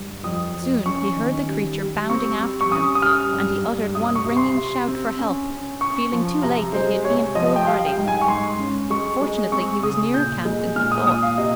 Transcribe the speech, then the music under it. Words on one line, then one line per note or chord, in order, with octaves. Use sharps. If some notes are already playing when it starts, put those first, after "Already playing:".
But soon he heard the creature bounding after him, and he uttered one ringing shout for help, feeling too late that he had been foolhardy. Fortunately, he was nearer camp than he thought.
Already playing: G2
F2 D#6
F2
C#4 C#6
D#3
G3
G3
C4 C#6
G3
C#6
C#4 D#6
D#6
G3 F6
G2
G2
C3 D#6
C#6
C3
C6
C3
C4
C#4
C#4
C#4 C#6
F3
C3 A#5
G#3 C5
C3 C#5
F3 D#5
G5
G3 F5
G5
G#2
G#5
C#6
G#2 C6
C#4
G#3 C#6
G#3
C4 C#6
C#3 D#6
A#2 G6
G#3
A#2 F6
D#6
A#2 D#6
F5
C3 D#5